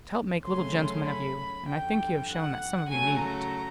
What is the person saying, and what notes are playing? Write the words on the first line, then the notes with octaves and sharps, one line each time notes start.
"To help make little gentlemen of you, and I think you have shown that some of you need it."
C#3 F#3 A3 C#4 C6
B5
F2 D3 G3 G5
F#5
C#3 F#3 A3 G#5
A#5